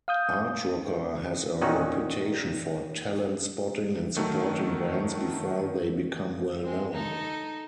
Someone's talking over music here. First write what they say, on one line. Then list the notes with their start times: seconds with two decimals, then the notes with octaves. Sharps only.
Artrocker has a reputation for talent-spotting and supporting bands before they become well known.
0.08 F5 D#6 G6
1.62 A#2 D#3 C#4 D#4 F#4
4.16 D#3 F#3 A3
6.63 G#3 C4
6.92 D#4 A4